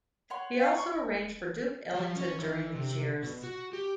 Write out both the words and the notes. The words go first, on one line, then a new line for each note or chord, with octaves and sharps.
He also arranged for Duke Ellington during these years.
C#5 F#5 C6
F5
C#6
F3
C#4
E3
C3
B2
F#4
G4